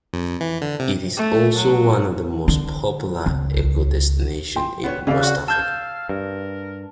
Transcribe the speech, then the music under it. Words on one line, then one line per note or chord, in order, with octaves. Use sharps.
It is also one of the most popular eco-destinations in West Africa.
F2
E3
D3
C3
A3
F#3
D3
C#2
G5 C6
B3 C5 C#5
C#3 E3 G4 D5 F5
F#4 F#5
F5 A5 E6 G6 G#6
G2 A#4